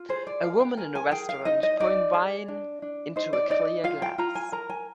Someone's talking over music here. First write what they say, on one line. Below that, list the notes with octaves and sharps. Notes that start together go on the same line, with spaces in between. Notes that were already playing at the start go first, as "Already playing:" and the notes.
A woman in a restaurant pouring wine into a clear glass.
Already playing: F4
G#4 C5
D5
A#4 F5
G5
A#4 G#5
G#5
G#4 G5
F5
D#4 D#5
D#5
D#4 D5
G#4
D4
D4
D#4 C5
D5
D#4 D5
F4 F5
G5
F4 A#5
G#5
A#4 A#5
G#5